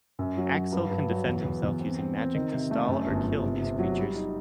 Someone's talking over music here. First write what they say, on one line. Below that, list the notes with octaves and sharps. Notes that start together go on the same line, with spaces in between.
Axil can defend himself using magic to stall or kill these creatures.
F#2
F#3
F#3
G2
G2
F#3
E2
E2
E2
C4
C4
C4
D#3
C3
A3
F#2
G1
G1
C3
C3
F#3
G3
D#4